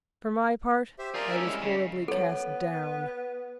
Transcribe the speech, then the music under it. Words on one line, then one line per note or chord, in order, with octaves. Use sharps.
For my part, I was horribly cast down.
G4 C5 E5
F4 G#4 A#4 D5
C#4 E4
G3 G#3
C#3
B3 A4 C#5